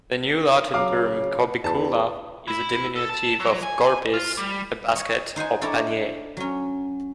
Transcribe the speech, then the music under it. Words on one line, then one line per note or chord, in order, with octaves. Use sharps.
The New Latin term "corbicula" is a diminutive of "corbis", a basket or pannier.
C#3 F#3 F5 D6
E2 A5
E4
A4
A5
F#3
G#5
F4
G3
C#5 D#5
D#4 C5 F#5 G#5
D4 E4 A4 C#5 D5 A#5
F#3 C#4